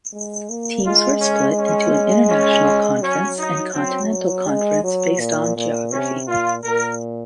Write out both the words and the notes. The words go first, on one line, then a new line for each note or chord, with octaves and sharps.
Teams were split into an 'International Conference' and 'Continental Conference' based on geography.
G#3
A#3
G#3 F4
C#4
C#4
C#4
F#3 C#4
D#4
F#3 C4
G#3
F#3
A#2
A#2
C3 C#4
A#2 F4
A#2 A#4